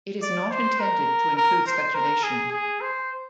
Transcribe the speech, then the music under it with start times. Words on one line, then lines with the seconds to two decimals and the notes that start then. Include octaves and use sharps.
It is not intended to include speculation.
0.22 D5
0.51 C5
0.80 A#4
1.37 A#4
1.66 C5
1.95 A#4
2.23 G#4
2.52 G#4
2.81 C5